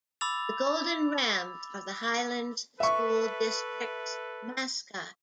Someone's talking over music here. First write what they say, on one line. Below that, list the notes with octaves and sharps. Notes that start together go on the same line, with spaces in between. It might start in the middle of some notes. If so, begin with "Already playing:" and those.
The Golden Rams are the Highlands School District's mascot.
B5 D6 E6 A6 F7
A4 B4 E5 C#6